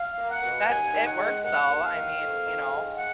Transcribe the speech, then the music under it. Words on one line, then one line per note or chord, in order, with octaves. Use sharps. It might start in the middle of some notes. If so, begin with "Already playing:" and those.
That's it works, though, I mean, you know,
Already playing: F5
A#3
F#5
B2
D#2 G#5
D#3
F#5
G#3
D#2 F#5
D#2
F5
D#3
F2
D#3
G#3
F#5